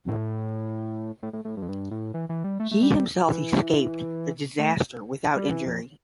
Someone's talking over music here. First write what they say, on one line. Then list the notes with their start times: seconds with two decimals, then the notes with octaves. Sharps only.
He himself escaped the disaster without injury.
0.08 A2
1.23 A2
1.33 A2
1.45 A2
1.57 G2
1.62 F2
1.69 G2
1.91 A2
2.14 E3
2.29 E3
2.44 G3
2.60 A3
2.71 A3
2.83 G3
2.94 G3
3.29 E3
4.59 A3
5.36 G3
5.51 E3
5.66 F2